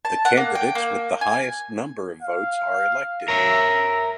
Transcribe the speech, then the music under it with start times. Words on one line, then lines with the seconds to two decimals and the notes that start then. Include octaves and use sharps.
The candidates with the highest number of votes are elected.
0.05 A5
0.25 F#5
0.37 A#3
0.55 G5
0.75 A#3
1.21 G#5
2.22 F5
3.28 A#4 C#5 E5